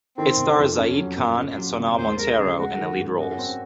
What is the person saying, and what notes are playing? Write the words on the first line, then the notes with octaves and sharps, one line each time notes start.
It stars Zaid Khan and Sonal Monteiro in the lead roles.
D#3 C4
C3
F2
C#4
F#3
A#2
C#4
F#3
C3
D#2 C5
G#3 A#4
C#3 G#4
G#3 F#4
D#3
G#2
F#2 F#4
C4